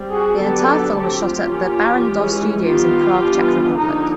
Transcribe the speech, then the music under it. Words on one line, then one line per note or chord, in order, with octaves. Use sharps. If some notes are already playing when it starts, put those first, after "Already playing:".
The entire film was shot at the Barrandov Studios in Prague, Czech Republic.
Already playing: G3 C4
F#4 G#4
D3 F#3 B3 D4 G4 A4
F#3 A3 C4 G4 A4
F4 G4
F3 A#3 C#4
E3 G#3 C#4
D#3 G3 B3 F4 G4
E3 G3 B3 D4
D3 F3 A#3 D4 D#4